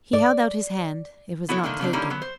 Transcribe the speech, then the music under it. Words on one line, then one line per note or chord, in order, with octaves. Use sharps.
He held out his hand; it was not taken.
D5
B3 E4 F#4 A4 C#5
D3 D#3 A3 A#3 D4
C#3 A#3 C4 D4
D3 G3 A#3 C#4 D#4 E4
F#3 B3
C5